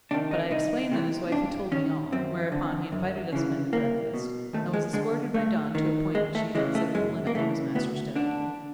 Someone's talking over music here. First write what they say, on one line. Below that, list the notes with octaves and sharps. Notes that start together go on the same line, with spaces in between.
But I explained that his wife had told me all, whereupon he invited us men to breakfast, and was escorted by Don to a point which he considered the limit of his master's domain.
C3 D#3 D4
D#4
C2 D#4
C3 E3
G2 D4
D#3 C#4
F#2 C4
D3
F#2
C#3 E3
C2 A#3
B2
D#2 A3
G#3
D3 G#3
G2 A3
D#3
E2 G#3
A3
C#3 E3 G#3
A3
F#2 G#3
A#3
C#3 E3 A3
D2 B3
D3 D4